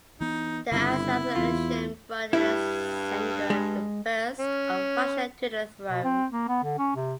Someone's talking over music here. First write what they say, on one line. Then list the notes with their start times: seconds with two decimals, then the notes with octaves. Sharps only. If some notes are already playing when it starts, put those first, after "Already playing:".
The assassination brought Alexander the First of Russia to the throne.
0.20 E3 B3 D#4
0.72 G1 C#3 C4 E4
1.36 E2 F4
2.33 G2 E4
3.50 G#3
4.39 C#4
5.89 B2
6.04 C4
6.32 A#3
6.48 B3
6.63 D3
6.78 C#4
6.96 C3